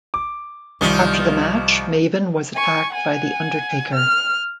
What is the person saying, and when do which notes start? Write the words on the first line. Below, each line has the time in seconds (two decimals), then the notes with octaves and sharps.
After the match, Maven was attacked by The Undertaker.
0.14 D6
0.81 C2 D#3 F3 F4
2.55 G#5 C#6
2.93 F#5 G#5
3.95 F6